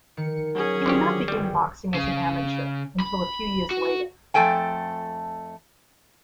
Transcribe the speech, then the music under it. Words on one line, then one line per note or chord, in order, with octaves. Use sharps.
He would not begin boxing as an amateur until a few years later.
D#3 C#7
F#3 C#4 G#4
D3 F3 G4
G1 G3 G5
C#3
B5
F#4
F2 A3 A4 G5 G#5